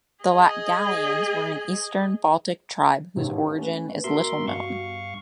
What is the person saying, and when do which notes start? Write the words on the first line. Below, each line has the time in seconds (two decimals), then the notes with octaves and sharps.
The Latgalians were an Eastern Baltic tribe whose origin is little known.
0.22 G#4 D#5
3.16 A1 D#2 G#2
3.59 A3 C#4 B4
4.04 B2 A#4 E5 C6
4.48 G2 F5 C#6